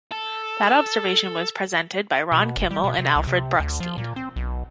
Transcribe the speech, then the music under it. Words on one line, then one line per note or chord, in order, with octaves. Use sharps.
That observation was presented by Ron Kimmel and Alfred Bruckstein.
A4
B2
F#1
G3
B2
C3
C2
C3
D2
F3
A#2
C4
B1